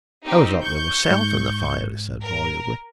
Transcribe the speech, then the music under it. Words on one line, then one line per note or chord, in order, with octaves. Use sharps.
"I was up there myself at the fire," he said volubly.
C4 D#4 G4
C#6 G6
G#2
A#4